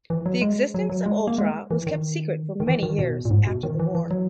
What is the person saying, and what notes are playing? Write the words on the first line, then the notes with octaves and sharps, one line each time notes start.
The existence of Ultra was kept secret for many years after the war.
E3
F#3
G#3
F#3
F#3
G#3
A#3
G#3
E3
D#3
D#3
E3
D#3
B2
A#2
G#2
B2
D#3
E3
E3
F#3